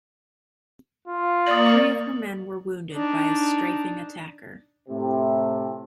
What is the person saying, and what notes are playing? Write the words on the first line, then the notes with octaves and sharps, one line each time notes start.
Three of her men were wounded by a strafing attacker.
F4
A#3 D5 C#6 D#6 A6 F#7
D4 D#4
A2 C3